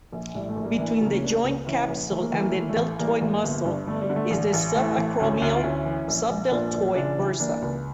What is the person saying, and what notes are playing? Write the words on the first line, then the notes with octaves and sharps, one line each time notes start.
Between the joint capsule and the deltoid muscle is the subacromial-subdeltoid bursa.
A#1
A2 G3
A3
A#1
G3 A#3
E3 A#3 D4
A3
C#3 A#3
C#4
C#2 A#3 D4
C#2
E3 C#4 E4
A#1
E3 A3
A#3
E3 A3
A#3
A3
E3 A#3
A3
A1
E3 G3 A#3
A1
G1
G2
G1 A3
G3
D3
A3
A1 G3
A1
E3 A3
A1
D2 A3 C#4
D2
F4
D2 C#4 E4
E3
A#1
A#1
A#2 D4 F4
A#1
C#3 D4 F4
E3
E3 A#3 D4
C#2